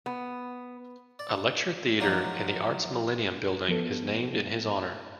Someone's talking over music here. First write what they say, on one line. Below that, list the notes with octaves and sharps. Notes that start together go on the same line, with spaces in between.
A lecture theatre in the Arts Millennium Building is named in his honour.
B3
D5
F3 F#3 D#4 D5
F3 B3 A4